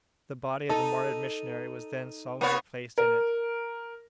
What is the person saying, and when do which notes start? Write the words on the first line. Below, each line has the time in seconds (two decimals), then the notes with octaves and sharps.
The body of the martyred missionary was then solemnly placed in it.
0.69 D#4 A4
2.41 A#3 B3 C#5
2.98 A#4